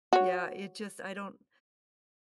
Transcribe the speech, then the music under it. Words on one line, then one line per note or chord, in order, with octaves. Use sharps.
Yeah, it just I don't
F#4 C#5